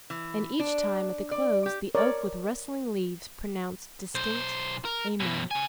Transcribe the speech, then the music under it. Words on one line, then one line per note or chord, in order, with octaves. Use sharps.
And each time at the close the oak with rustling leaves pronounced distinct Amen!
E3
D4
D5
G4
A#4 C#5 D5
B1 C5
A#4
F#2 B2
C#3 G#5